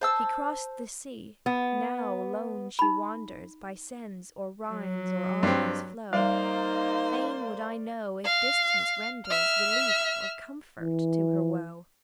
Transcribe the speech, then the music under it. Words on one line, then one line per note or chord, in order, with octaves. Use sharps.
She crossed the sea--now lone she wanders By Seine's, or Rhine's, or Arno's flow; Fain would I know if distance renders Relief or comfort to her woe.
C5 A5 E6
B3
D#4 B5
F#3
G2 C4
G3 A#3 D#4 C5 D5 F5
F5
E5 F6
E3